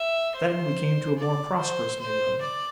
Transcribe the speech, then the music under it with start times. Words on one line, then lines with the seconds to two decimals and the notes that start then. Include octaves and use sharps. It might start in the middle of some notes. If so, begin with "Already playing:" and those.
Then we came to a more prosperous neighborhood.
Already playing: E5
0.35 C5
1.18 D5
1.58 C5
1.99 C5
2.41 D5